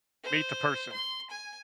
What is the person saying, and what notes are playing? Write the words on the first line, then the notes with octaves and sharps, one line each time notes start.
meet the person.
C5
C6
G#5